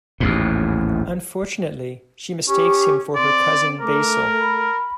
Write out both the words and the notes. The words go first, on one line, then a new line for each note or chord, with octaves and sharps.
Unfortunately, she mistakes him for her cousin Basil.
A1 D#2 G#2
C#4 G4 C#6
C4 D5 C6
A3 A#4 D6
B5